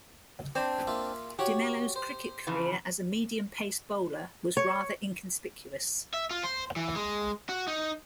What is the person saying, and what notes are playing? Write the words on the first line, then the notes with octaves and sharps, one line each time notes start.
De Mello's cricket career as a medium pace bowler was rather inconspicuous.
C4 D4 D5
A#3 F4 E5
F#4 G4 C#5 F#5
C5
F2 C#3 E3
C#5
E5
F4
C5
E3
G#3
F#4
D#4